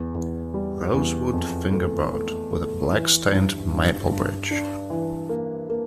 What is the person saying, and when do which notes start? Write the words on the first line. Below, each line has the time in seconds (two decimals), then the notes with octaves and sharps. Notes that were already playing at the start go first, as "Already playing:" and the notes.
Rosewood Fingerboard, with a Black-Stained Maple bridge.
Already playing: E2
0.15 E2
0.54 G3
0.94 E2
1.33 F2
1.73 A3
2.13 A3
2.53 A3
2.92 E3
3.32 G2
3.72 G2
4.11 G2
4.51 D4
4.90 E3
5.29 A#3
5.70 A#3